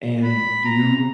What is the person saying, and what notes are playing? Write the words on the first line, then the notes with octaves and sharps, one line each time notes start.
and do
B5
A#5